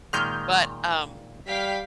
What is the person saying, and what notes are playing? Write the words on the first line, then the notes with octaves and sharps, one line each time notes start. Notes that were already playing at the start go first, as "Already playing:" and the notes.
But, um,
A#2 D#3 G#3 F6 G6
G3 F5 G5 B6